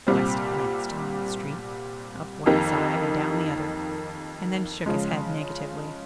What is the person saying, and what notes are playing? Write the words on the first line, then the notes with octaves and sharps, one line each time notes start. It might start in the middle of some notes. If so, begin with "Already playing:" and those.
West glanced along the street--up one side and down the other--and then shook his head negatively.
C2 A#2 G3 C4
F2 D#3 A#3 D#4 G4
C#3 F3 G#3